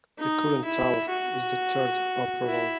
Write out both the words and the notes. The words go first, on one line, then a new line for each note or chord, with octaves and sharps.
The current tower is the third overall.
D#4
E4
F#4
E4